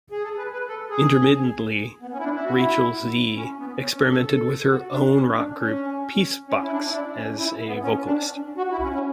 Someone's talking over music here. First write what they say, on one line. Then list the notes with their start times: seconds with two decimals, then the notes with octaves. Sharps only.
Intermittently, Rachel Z experimented with her own rock group Peacebox as a vocalist.
0.12 G#4
0.24 A4
0.38 B4
0.53 B4
0.68 A4
0.90 G#4
2.02 B3
2.13 C#4
2.19 E4
2.24 D4
2.36 E4
2.45 F#4
2.54 E4
3.37 C#4
3.59 B3
3.80 C#4
3.95 C#4
4.10 A4
4.25 A4
4.70 F#4
4.92 D4
5.15 C#4
5.36 D4
5.59 C#4
6.48 C#4
6.63 E4
6.72 D4
6.88 E4
6.94 D4
7.16 C#4
7.39 E4
7.68 B3
7.83 C#4
8.06 D4
8.58 F#4
8.72 E4
8.83 C#4
8.94 C#4